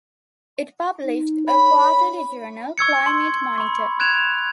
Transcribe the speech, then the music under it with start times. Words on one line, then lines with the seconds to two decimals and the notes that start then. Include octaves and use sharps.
It published a quarterly journal, "Climate Monitor".
1.03 D#4
1.47 C#5 B5
2.78 C#6 E6 G#6 C#7
3.06 C6
3.58 B5 C#6
4.00 F#6 G#6 D7 E7 F7